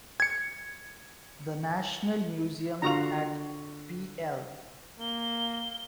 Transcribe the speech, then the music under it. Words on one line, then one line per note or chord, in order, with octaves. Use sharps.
The National Museum at pl.
G#6 C#7
D3 F4 F#4 A#5 C#6 F7
A#3 G7